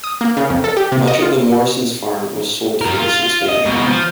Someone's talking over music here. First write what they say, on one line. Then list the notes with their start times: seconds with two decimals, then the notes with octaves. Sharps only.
Much of the Morrison's farm was sold for this expansion.
0.04 D#6
0.21 A#3
0.37 C#3
0.50 F2
0.64 A4
0.77 G4
0.92 C3
1.07 D#5
1.22 F4
2.81 F#4 A#4
2.98 F4
3.23 F4
3.48 D#5
3.65 G#2 B2
3.87 F3